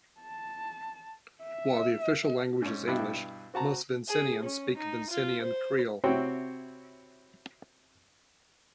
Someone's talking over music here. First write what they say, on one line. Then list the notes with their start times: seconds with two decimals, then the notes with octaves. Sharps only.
While the official language is English most Vincentians speak Vincentian Creole.
0.21 A5
1.44 E5
2.62 G#2 C#4
2.87 G2 B2 E4 G4 F#6
3.54 C4 F#4 A5 A#5
4.08 G#4
4.43 C#4
4.77 D#4
5.10 F4
5.41 C5
6.04 C3 C4 E4 F#4 C#5 G5